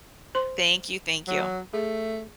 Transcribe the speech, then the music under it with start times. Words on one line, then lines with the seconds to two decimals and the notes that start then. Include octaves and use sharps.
Thank you, thank you.
0.35 C5 C6
1.28 F#3
1.73 A3 G#4